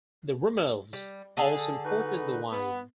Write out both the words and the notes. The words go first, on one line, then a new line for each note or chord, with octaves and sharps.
The Romanovs also imported the wine.
G3
D3 G#4 A4
D#4 F#4 B4
B3